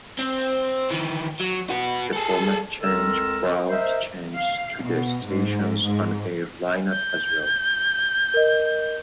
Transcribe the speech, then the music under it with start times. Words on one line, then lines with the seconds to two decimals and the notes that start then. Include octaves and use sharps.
The format change brought changes to the station's on-air lineup as well.
0.19 C4
0.90 D#3 E3
1.40 F#3
1.70 F#4 B4
2.13 G#4 A4
2.81 C#2 C4 A4 A#4 A#5 E6
3.67 A#4 C5 D#5 E5
4.37 F5
4.85 B2
5.26 G#2
5.85 G#2
6.91 G6
8.34 A#4 D#5